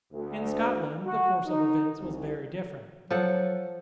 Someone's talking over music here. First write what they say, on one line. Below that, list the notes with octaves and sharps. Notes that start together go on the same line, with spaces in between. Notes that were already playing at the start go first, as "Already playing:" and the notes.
In Scotland the course of events was very different.
D2
F#4
D#4
C2
F3 F#3 A4 F#5